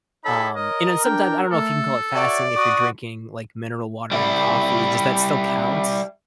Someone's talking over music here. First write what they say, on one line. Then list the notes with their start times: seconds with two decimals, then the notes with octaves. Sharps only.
um, and then sometimes, I don't know if you can call it fasting if you're drinking, like, mineral water and coffee, does that still count?
0.25 D#4 G#4 A4 C#5 B5
0.56 A#4 D#5
1.04 D4 G5
1.52 A3 A4
2.15 F#4 C#5 D5 E5
2.55 F#4 C#6 D#6
4.12 G3 E4